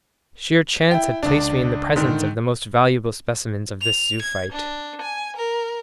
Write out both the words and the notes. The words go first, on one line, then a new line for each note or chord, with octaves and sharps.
Sheer chance had placed me in the presence of the most valuable specimens of this zoophyte.
E4 G5
C#2 D4
G#2 D3 D#3
F7
G#6
D4
G#5
A#4